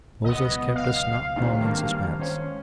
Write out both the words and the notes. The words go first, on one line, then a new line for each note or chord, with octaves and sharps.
Moses kept us not long in suspense.
C#2 B2 F#3 B3 D#5
F5
G#2 C3 D#3
G2 D#3 G#3 A#3 A5
C#4 C5